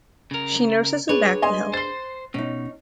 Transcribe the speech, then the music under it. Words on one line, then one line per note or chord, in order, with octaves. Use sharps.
She nurses him back to health.
C#3 A#4
D4 G#4 B4 C#5
D#5 G#5 C6
C5 C6 A6 C7
B2 C#4 D#4